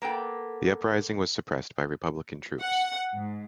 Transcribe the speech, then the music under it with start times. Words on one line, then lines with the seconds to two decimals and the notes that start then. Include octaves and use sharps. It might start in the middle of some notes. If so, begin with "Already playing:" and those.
The uprising was suppressed by republican troops.
0.02 A#3 B3 A4 G5
2.62 F#5
3.14 G#2